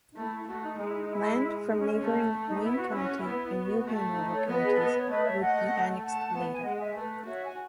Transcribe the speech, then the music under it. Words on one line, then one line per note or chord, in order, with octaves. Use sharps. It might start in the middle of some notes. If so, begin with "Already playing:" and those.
Land from neighboring Wayne County and New Hanover counties would be annexed later.
D#4
A3 E4
A3 F#4
D#4
G#3 D#4
E4
D#4
E4
D#4
C#4
C#4
A3
D#4
B3 E4
F#4
C#4 E4
F#4
E4
B3
F#4
A3
E4
D#4
A4 C#5
B3 B4 D#5
G#4
B3 A4
B4
C#5
A3 B4 D#5
C#5 E5
D#5 F#5
F#5 A5
B3
G#5
G#3 D#5 F#5
E5 G#5
A3 B4
F#4 C#5 E5
G#5